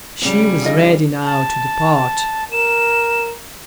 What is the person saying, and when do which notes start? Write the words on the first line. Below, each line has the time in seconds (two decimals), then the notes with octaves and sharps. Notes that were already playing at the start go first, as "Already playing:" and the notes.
She was ready now to depart.
0.22 F2 C#3 G3
0.62 D#4 F4 D#5
1.25 A5
2.52 A#4 E7